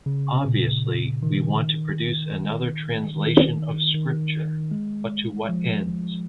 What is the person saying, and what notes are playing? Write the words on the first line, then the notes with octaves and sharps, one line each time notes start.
Obviously we want to produce another translation of Scripture – but to what ends?
C#3
A#2
D#3
D#3
D#3
G#3
F3